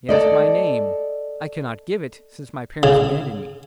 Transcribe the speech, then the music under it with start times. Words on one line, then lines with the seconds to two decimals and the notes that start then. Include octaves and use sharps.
They ask my name, I cannot give it, since my parents abandoned me.
0.09 A4 D5 D#5
2.83 C#3